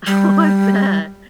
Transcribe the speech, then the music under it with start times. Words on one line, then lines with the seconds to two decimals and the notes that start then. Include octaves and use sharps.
I want that.
0.07 G3